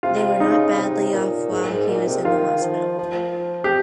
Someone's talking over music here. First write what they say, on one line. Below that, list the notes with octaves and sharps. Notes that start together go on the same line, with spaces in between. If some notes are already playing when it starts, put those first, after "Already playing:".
They were not badly off whilst he was in the hospital.
C3 F4
C#3 D#4
C#3
C3
A#2
G#2
A#2
G#2
A#2
C3
D#3 F4
F3
F3
G4